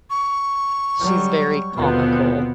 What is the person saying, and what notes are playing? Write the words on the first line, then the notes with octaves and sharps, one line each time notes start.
She's very comical,
C#6
F#3 G3
D#2 B2 D3 B3 C4 F4